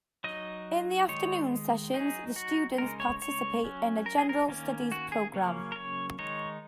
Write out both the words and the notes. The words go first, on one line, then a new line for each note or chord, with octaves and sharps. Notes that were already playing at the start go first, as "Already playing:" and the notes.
In the afternoon session, the students participate in a general studies program.
F#3 D#4 D#5
D#3 G#3 D#4 C#5
F#3 D#4 G#4
F#4
C#3 G#3 D#4 A#4
C#5
C#5
F#3 C#4
A#4
G#4
A#4
D#3 A#3 C#4
F#4
G#4
C#3 F#3 A#3 C#4
A#4
C#5
D#3 G#3 D#4 C#5